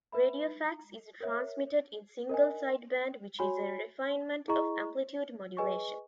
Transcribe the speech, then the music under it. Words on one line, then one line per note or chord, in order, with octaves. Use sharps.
Radiofax is transmitted in single sideband which is a refinement of amplitude modulation.
B4 E5 B5
A#4 C#5 E5
A#4 D#5 G#5
F#4 C#5 G#5 B5
E4 G#4 D#5 A#5 C#6
G#4 B4 D#5 G#5 C#6